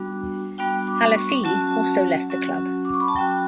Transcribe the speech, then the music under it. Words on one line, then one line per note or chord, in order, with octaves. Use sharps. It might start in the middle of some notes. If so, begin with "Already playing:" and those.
Halafihi also left the club.
Already playing: G3 B3 D4 F#4
G3 B3 D4 F#4 G5
D6
C#6
F#3 C#4 F#4 A5
F#3 C#4 F#4
D6
C#6
B5
A5
F#3 C#4 F#4 G5